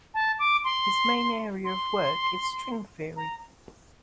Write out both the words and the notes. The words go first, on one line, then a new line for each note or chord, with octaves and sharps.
His main area of work is String Theory.
A5
D6
C6
C6
A#5